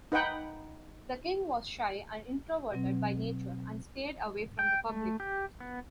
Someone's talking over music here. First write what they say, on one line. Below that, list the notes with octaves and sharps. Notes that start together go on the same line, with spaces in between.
The king was shy and introverted by nature, and stayed away from the public.
D#4 B4 F#5 G5 B5
B2 F#3 C4
G5
A3
G4
B3